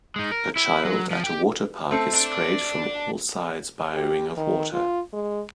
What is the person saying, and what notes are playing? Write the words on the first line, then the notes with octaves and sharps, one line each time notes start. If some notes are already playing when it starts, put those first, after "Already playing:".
A child at a water park is sprayed from all sides by a ring of water.
G#3 D#4
A#4
E4
F#3
F3
G4 G5
A3 C4 A4
D5 A5
G4
D#3
F4
G#3